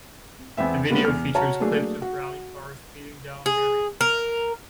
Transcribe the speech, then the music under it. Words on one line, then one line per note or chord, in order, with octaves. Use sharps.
The video features clips of rally cars speeding down various tracks.
E2 B3 C4 E5
G3 G#3 A#3 B3 C#4
E2 F6
F#4 C#5 A5 A#5
F#3 A3 A#3 D4 G#4
F#4
G#4
A#4